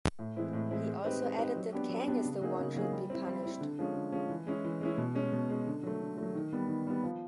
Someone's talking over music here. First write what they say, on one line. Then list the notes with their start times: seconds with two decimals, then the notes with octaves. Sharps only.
He also added that Kang is the one should be punished.
0.19 A2
0.37 E3 G#3 C4 E4
0.53 A2
0.71 E3 G#3 C4 E4
0.88 G#3
1.04 C4 D#4 G4 B4
1.21 G#3
1.38 C4 D#4 G4 B4
1.56 F#3
1.73 B3 D4 G4
1.90 F#3
2.08 B3 D4 G4
2.25 C#3
2.41 F#3 A#3 D#4 G#4
2.59 C#3
2.76 F#3 A#3 D#4 G#4
2.92 G3
3.10 C4 E4
3.26 G3
3.44 C4 E4
3.61 D3
3.79 F3 G#3 C#4
3.96 D3
4.12 F3 G#3 C#4
4.30 E3
4.47 G#3 C#4 E4
4.64 E3
4.81 G#3 C#4 E4
4.98 B2
5.15 G#3 C#4
5.33 B2
5.50 G#3 C#4
5.67 D3
5.83 F#3 A3
6.01 D3
6.18 F#3 A3
6.35 D#3
6.53 G3 B3
6.69 D#3
6.87 G3 B3
7.04 F3